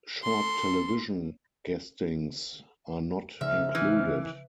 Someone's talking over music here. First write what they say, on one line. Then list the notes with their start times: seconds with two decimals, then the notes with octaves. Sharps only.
Short television guestings are not included.
0.23 A4 C6
3.41 G#2 C#3 F3 E5 F6
3.75 E3